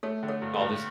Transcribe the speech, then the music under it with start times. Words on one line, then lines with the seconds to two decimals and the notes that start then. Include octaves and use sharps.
Oh, this
0.03 A3 A4 C#5
0.23 D3
0.28 A4 C#5
0.42 G2
0.54 A4
0.61 G2